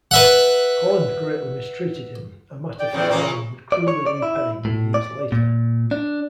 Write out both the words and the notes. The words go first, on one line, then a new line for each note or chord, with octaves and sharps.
Holland greatly mistreated him, a matter FitzAlan would cruelly repay many years later.
B4 E5 F#5
D5 G5
E2 A2 C#3
A#2 C#3 E3 A#3
D5
C#5
D5
E4
A2
D5
A#2
D4